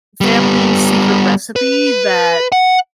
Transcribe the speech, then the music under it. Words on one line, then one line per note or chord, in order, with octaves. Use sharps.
family secret recipe that
G3 B3
B4
F#5